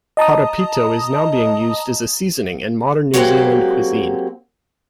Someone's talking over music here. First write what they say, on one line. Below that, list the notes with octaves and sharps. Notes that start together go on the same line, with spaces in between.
Horopito is now being used as a seasoning in modern New Zealand cuisine.
D#5 A5 A#5 D#6
F#3 G#3 A#3 C4 F#4 G4